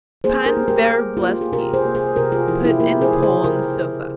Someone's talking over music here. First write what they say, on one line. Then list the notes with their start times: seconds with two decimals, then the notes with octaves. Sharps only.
"Pan Vrublevsky," put in the Pole on the sofa.
0.24 A#3 G#4 C5
0.46 G4 A#4
0.57 A#3
0.68 G4 A#4
0.88 A#3
1.17 A#3 F4
1.28 G4
1.41 G#4
1.52 C3 G4 A#4
1.74 G#4 C5
1.85 A#3
1.95 G#4 C5
2.16 C3 G4 A#4
2.32 F4 G#4
2.48 F3 E4 G4
2.65 E4 G4
2.80 A#3 G4 A#4
3.01 G#4 C5
3.13 C#3
3.22 G#4 C5
3.44 C#3 G4 A#4
3.76 C#3